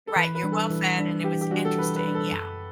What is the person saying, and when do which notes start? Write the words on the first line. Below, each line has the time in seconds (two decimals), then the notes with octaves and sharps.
Right, you're well fed, and it was interesting. Yeah.
0.07 A4
0.16 E3 B4
0.35 B4
0.43 G3 D4
0.52 A4
0.70 E3
0.97 G3 D4
1.24 E3 G4
1.41 G4
1.51 G3 D4 F#4
1.65 A4
1.78 E3 B4
1.96 B4
2.05 G3 D4
2.15 A4
2.32 F#2